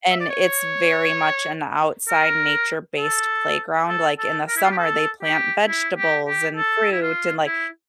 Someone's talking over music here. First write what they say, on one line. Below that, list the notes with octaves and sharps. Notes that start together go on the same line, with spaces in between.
and it's very much an outside nature-based playground, like, in the summer, they plant vegetables and fruit and like
E5
D5
C#5
A#4
A4
A4
A4
A#4
E4
F4
G4
A4
G4
E4
G4
G4
A4
E4
F4
E4